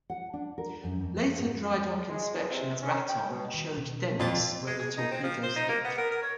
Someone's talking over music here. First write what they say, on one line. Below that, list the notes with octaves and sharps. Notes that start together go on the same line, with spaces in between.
Later dry-dock inspection of Raton showed dents where the torpedoes hit.
F#5
D4
A#4
F#2
F2
G#2
F2
G#3
E2
C3
C#4
G5
B2
D#3
B2
F2 A#2 F4 A6
G#3
G#4
D#4
C4
F3
C5
D#4
A#3
B3
A#4
A#4
C#5